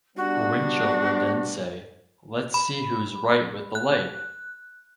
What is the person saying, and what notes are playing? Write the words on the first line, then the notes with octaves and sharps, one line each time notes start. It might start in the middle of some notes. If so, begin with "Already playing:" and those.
Winchell would then say, Let's see who's right with the light!
G3 B3 D4 F#4
B5
F#6